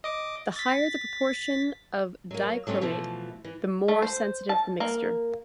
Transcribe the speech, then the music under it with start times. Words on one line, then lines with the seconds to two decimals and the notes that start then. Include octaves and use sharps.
The higher the proportion of dichromate, the more sensitive the mixture.
0.04 D#5 D6
0.56 A6 B6
2.31 F#3 A#3
2.67 F#3 A3 C4 C#4 F4
2.81 B2 E3 F3 A3
3.45 E3
3.88 A3
4.02 C5
4.49 A5
4.80 A#3